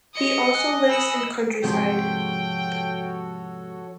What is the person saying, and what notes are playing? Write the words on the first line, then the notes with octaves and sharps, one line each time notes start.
He also lives in countryside.
D#5 C#7
G#5 D#6 F#6
B5 E6 C#7 F#7
G#2 C3 F3 G#3 F#4 A4 C#5 G5